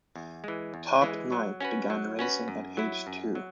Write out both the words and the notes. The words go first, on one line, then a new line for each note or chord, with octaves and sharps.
Top Knight began racing at age two.
E2
E3 G#3
E2
E3 G#3
F#3
C#4 F#4 B4
F#3
C#4 F#4 B4
F#2
F#3 E4
F#2
F#3